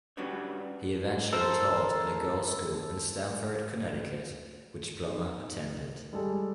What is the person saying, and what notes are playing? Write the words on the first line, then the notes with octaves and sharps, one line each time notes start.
He eventually taught at a girls school in Stamford, Connecticut, which Plummer attended.
G3 C#4 D4 F#4 B4 C#5
A4 A#4 C5
D#4
G3 G#3 G#4 A4